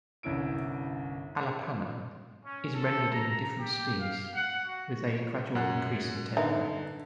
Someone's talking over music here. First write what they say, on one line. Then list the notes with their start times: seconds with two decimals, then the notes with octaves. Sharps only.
Alapana is rendered in different speeds, with a gradual increase in tempo.
0.23 G1 C2 C#4 E4 D7
2.45 C#4
2.76 A4
3.10 A#5
3.59 G4
4.00 F5
4.34 F#5
4.66 F#4
5.55 F#2 F#5 F#6
6.37 D3 B3 D#4 E5